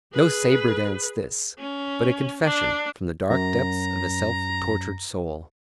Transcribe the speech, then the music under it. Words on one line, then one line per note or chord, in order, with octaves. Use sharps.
No "sabre dance" this, but a confession from the dark depths of a self-tortured soul.
G#4 B4
C#4
D4
F#2 A#5